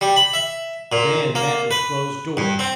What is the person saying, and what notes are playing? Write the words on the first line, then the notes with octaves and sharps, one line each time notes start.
The band met with closed doors.
G3
B5
E5
A#2
A#3
B4
G2
C4